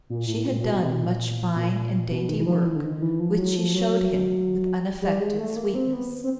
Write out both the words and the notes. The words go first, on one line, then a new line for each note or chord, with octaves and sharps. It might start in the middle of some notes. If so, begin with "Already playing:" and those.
She had done much fine and dainty work which she showed him with unaffected sweetness.
A#2
A2
A#2
A#2
B2
C3
B2
A#2
A#2
B2
D#3
E3
F3
E3
D3
D#3
E3
F3
F#3
F3
F#3
G3
G#3
A3
A#3
C4
B3
C4